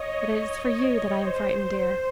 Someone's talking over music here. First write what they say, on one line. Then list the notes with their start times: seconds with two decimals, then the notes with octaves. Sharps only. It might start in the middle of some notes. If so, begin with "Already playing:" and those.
But it is for you that I am frightened, dear.
Already playing: C#5 D#5
0.31 D#5
0.73 C#5
1.13 C5